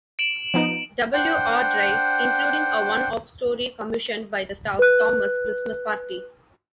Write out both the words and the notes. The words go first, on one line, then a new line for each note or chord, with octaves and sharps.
W. Awdry, including a one-off story commissioned by the staff, "Thomas' Christmas Party".
D7 E7 F#7
F3 B3 D#4
D4 C5 F#5 G5
B4 F#6